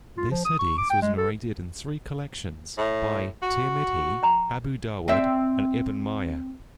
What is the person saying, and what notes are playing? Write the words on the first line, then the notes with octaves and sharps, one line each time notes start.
This hadith was narrated in three collections by Tirmidhi, Abu Dawood, and Ibn Majah.
F4
F3
D#6
C#6
D6
G5
G#3
A4
A2
F#4
G5 A#5 C#6
C4 E5